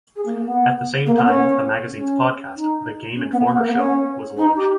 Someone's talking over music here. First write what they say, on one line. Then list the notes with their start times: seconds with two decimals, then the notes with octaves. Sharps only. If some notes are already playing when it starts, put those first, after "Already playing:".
At the same time, the magazine's podcast, "The Game Informer Show", was launched.
0.16 G#4
0.25 A#3
0.36 A#3
0.46 B3
1.06 A#3
1.16 B3
1.26 C#4
1.96 C#4
2.56 D#4
3.16 C#4
3.32 B3
3.46 B3
3.57 A#3
3.67 B3
3.77 C#4
4.37 D#4
4.56 G4